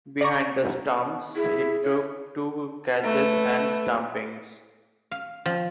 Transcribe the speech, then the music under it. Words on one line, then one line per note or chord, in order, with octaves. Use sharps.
Behind the stumps he took two catches and stumpings.
D5 A#5 C#6
E4 G#4
C#5
A3 B4
F5
F3